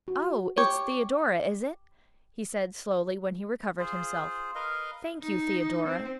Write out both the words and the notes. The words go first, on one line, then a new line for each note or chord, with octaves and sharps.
"Oh! it's Theodora, is it?" he said, slowly, when he recovered himself. "Thank you, Theodora."
F#4
G4 C#5
F4 G#4 C5
A#4 B4 D#5 F5
D#4
C4